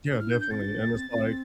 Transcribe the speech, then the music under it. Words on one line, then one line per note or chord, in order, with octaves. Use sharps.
Yeah, definitely, and it's like
D4
E4 F6
G6
D4
G6
C4 A6
E4
D4
A#3
C4
C4